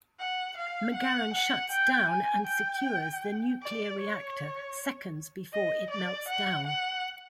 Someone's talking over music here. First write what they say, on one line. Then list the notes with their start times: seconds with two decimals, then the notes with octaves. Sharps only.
McGarren shuts down and secures the nuclear reactor seconds before it melts down.
0.19 F#5
0.57 F5
0.94 F#5
1.34 F#5
1.72 G5
2.10 G#5
2.47 G5
3.62 D5
4.00 C#5
5.53 D#5
5.90 D5
6.29 F#5
6.67 F#5